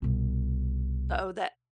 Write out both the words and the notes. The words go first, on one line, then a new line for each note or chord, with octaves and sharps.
Oh, that
C2 B2